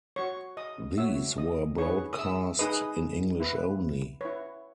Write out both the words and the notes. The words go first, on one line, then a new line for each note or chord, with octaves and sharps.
These were broadcast in English only.
F#4 C#5 C#6
D#5 D#6
F#4 C#5 E5 E6
D#5 D#6
D#4 G#4 B4 C#5 C#6
D#6
E5 E6
D#4 G#4 B4 D#5 D#6
E4 B4
E4 B4 C#5 C#6